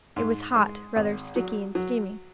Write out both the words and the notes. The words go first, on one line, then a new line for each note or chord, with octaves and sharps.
It was hot; rather sticky and steamy.
G#2
G#3
G#1
F#3
F#3